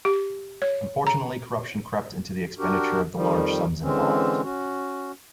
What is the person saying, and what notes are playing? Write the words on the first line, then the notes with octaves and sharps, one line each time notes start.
Unfortunately corruption crept into the expenditure of the large sums involved.
G4
C#5
A#5
D4 F#4 G4 A#4
F2 D#3 F3 G3
D3 E3 G#3 C4 C#4
C#4 F#4